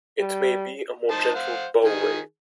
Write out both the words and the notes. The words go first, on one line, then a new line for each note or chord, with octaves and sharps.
It may be a more gentle "bow wave".
G3
D#4 C5 A5
C5 F5 F#5
D#3 G#4 G#5